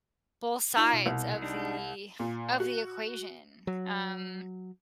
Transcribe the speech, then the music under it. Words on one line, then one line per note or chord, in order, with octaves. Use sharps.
both sides of the of the equation. Um,
D#4 F4
B2
C2
D4 D#4 G4
A#2
F#4
F#3